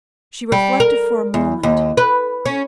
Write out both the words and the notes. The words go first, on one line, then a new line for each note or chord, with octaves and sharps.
She reflected for a moment.
G3
A#4
E2
D#2
B4
C#4